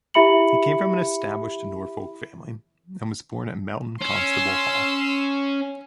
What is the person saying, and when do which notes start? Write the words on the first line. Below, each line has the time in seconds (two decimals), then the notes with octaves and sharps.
He came from an established Norfolk family, and was born at Melton Constable Hall.
0.14 E4 G4 E5 B5 C#7 F#7
4.02 C#4 C6 E6